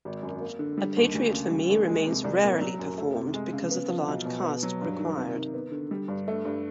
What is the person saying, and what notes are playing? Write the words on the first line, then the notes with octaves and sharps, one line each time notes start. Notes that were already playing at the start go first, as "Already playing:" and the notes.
"A Patriot for Me" remains rarely performed because of the large cast required.
G#1
F#2
A#3
D3
G3
D#2
D2
C#3
G3
D#2
G#3
C3
C2
A#2
F#3
F#2
A3
C3
G#3
C#3
B3
F3
B1
B2
B2
F#3
G2
D#3
C3
D#3
B3
D3
G3
G2
A3
G2